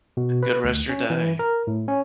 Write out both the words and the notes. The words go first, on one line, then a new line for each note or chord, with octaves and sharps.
good rest of your day.
B2
B4
D2
C#4
E3
A#4
A2
C#4